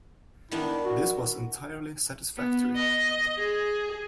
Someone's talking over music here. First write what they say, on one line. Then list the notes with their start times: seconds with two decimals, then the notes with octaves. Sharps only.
This was entirely satisfactory.
0.51 D#3 B3 D4 E4
0.85 F#4
2.37 B3
2.75 D#5
3.38 G#4